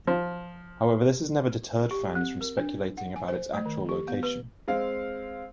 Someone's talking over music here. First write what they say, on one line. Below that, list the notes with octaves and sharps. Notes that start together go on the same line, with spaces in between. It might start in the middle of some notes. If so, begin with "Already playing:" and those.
However, this has never deterred fans from speculating about its actual location.
F3
G4
C4
A#4
D4
F#5
G#5
C5
A3
D#3
G4
B3
B4
G#3 C4 F5